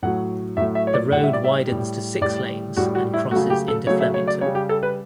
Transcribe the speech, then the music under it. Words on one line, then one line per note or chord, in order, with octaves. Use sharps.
The road widens to six lanes and crosses into Flemington.
A2 F#3 A3 F#5
A2 F#3 A3 E5
E5
C#5
D5
A2 G3 F#5
E5
D5
E5
A2 G3
A2 G3 D5
A2 G3 F#4
F#4
E4
C#3 F#3 A3 F#4
G4
A4
C#3 F#3 A3 C#5
E5
C#5
D5
C#3 G3 C#5
G4
A4
B4